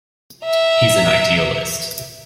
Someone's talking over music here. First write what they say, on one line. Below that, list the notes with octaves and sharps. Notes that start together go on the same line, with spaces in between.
He's an idealist.
E5 A#5